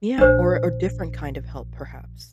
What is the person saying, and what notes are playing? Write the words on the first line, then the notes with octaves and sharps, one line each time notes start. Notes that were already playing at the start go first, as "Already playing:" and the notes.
Yeah. Or or different kind of help perhaps.
A#1 D4 C5